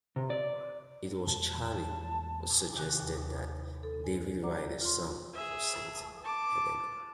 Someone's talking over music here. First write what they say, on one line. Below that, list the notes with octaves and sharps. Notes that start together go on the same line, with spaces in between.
It was Charlie who suggested that Dave write a song for Saint Helena.
C3
D5
E2 A#2 G#3 A5
C3 D#3 F#6
D#2
A4
G#5
D5 F#5 A#5 D6
F4 C6
G#4 E5
A5 D6